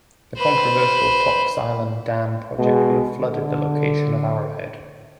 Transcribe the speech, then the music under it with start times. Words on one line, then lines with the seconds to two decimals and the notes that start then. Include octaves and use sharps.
The controversial Tocks Island Dam project would have flooded the location of Arrowhead.
0.37 B4 C5
2.58 B2 G#3
3.21 D3